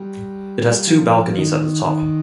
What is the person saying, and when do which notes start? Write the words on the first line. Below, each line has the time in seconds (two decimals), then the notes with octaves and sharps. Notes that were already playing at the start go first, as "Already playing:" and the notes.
It has two balconies at the top.
Already playing: G3
0.87 F3
1.37 D#3
1.86 D#3